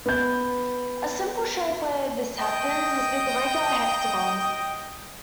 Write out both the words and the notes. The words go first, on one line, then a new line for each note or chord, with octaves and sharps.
A simple shape where this happens is with the regular hexagon.
B3 G6
D#5 G5 D#6